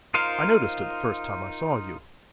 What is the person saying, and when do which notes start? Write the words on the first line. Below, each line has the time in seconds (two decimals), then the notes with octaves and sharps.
I noticed it the first time I saw you.
0.14 D#4 F4 A#4 C5 F5